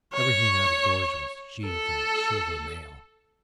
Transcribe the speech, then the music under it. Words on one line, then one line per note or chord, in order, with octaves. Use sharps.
Everything out-of-doors was sheathed in silver mail.
C#5
A4